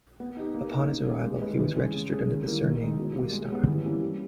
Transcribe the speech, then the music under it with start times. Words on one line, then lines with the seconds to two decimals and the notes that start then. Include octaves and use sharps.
Upon his arrival, he was registered under the surname "Wistar".
0.20 B3
0.37 D#4 G4
0.54 A#3
0.71 D#4 A#4
0.89 C#3
1.07 G3 A#3
1.24 G#3
1.41 C#4 G4 B4 D#5
1.59 E3
1.76 G#3 C#4
1.93 C#3
2.11 G#3 C#4 G#4
2.28 D#3
2.46 G3 A#3 E4 A#4
2.63 D#3
2.81 G#3 D#4
2.98 B2
3.15 G3 A#3
3.32 G#3
3.50 B3 G4 C#5
3.67 E3
3.85 G3 A#3 C#4 E4
4.02 G3